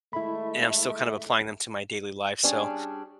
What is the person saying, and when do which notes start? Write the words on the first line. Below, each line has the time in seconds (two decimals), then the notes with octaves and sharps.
and I'm still kind of applying them to my daily life, so,
0.13 D#3 G#3 A3 E4 E5 B5
2.43 G3 C#4 D4 G#4